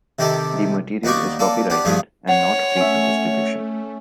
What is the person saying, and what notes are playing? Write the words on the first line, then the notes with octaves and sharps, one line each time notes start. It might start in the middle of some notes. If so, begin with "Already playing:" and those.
The material is copyrighted and not free for distribution.
C3 D#3 G4 A4
D#2 B3 D#4 D5 C#6
A#3 D4 A4
B3 D4 G4
G2 F3 A3 B3 G#4
C#5 F#5 C6
A3 C#4 E5